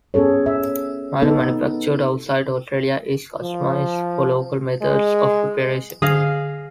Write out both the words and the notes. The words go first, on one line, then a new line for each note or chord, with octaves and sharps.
Milo manufactured outside Australia is customised for local methods of preparation.
B3 C#4 G#4 A4 C#5
E5
B3 D#4 A4
F3
G#3
D3 G#4 D#5 F5